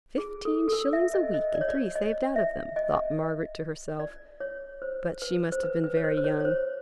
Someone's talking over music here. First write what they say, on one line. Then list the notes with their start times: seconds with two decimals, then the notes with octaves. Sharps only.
'Fifteen shillings a week, and three saved out of them!' thought Margaret to herself 'But she must have been very young.
0.18 G#4
0.45 A4
0.68 A4
0.72 A#4
0.93 E5
1.14 D#5
1.34 D#5
1.54 D5
1.61 C#5
1.68 D5
1.96 D#5
2.36 E5
2.76 D#5
4.00 D5
4.40 C#5
4.82 C5
5.22 B4
5.52 C5
5.63 B4
5.84 B4
5.97 C#5
6.04 C5
6.17 C5
6.24 C#5
6.40 C#5
6.45 C5